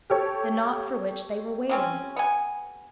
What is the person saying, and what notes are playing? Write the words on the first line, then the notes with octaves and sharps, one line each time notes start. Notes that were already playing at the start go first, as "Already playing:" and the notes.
The knock for which they were waiting!
G4 A4 C#5
F3 C4 C#4
B3 G#5